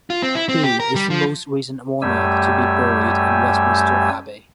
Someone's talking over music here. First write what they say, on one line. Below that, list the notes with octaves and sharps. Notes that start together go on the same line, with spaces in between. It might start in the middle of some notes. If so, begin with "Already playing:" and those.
He is the most recent monarch to be buried in Westminster Abbey.
F4
C4
E4
C4
G4
A#4
G3
F3
F#2 G3 A3 G4 G#5 E6